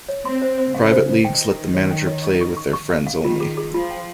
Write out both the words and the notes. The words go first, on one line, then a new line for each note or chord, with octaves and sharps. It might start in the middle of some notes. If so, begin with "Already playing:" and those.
Private leagues let the manager play with their friends only.
C#5
C4 C6
C5
C5
C#3 F5
C5
C5
D#3 G5
A#4
A#4
C#5
G5
C#5
C#6
C#6
C#6
C#6
F5
F5
D#3 F4
G#4
G#4
F3 F4
G5